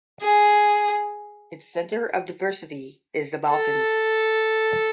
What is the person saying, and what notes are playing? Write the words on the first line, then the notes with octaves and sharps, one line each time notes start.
Its center of diversity is the Balkans.
G#4
A4